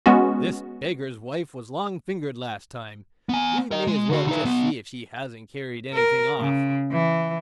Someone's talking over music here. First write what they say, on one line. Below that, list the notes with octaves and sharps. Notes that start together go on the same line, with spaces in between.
'This beggar's wife was long-fingered last time; we may as well just see if she hasn't carried anything off.'
G#3 B3 C#4 F#4
B3 G#5
A#4 D#5
G#3
D3 F#4
D#4 B4
B1 B3
A#4
C#3
E3